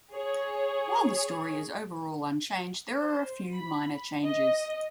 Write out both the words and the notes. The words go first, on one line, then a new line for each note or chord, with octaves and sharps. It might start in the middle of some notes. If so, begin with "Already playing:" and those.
While the story is overall unchanged, there are a few minor changes.
G#4 C#5
C5
B5
D#5